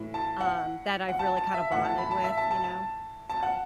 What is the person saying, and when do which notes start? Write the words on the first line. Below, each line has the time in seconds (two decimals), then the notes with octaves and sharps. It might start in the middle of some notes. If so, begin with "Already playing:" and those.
um, that I've really kinda bonded with, you know? So.
Already playing: A2 E3
0.14 A5
0.41 F#5
1.09 F#5
1.19 A5
1.37 A5
1.54 E5
1.72 A2 E3 F#5
1.85 A5
1.98 B5
2.11 A5
2.24 E5
2.37 A5
2.51 A5
2.64 A5
3.29 A5
3.43 F#5